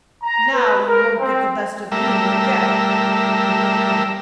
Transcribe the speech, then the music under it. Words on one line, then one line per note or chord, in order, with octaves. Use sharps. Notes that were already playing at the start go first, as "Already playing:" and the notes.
'Now you won't get the best of me again!' And he went home.
A#5
B4
A#4
C4
G3 A3 A#4 E5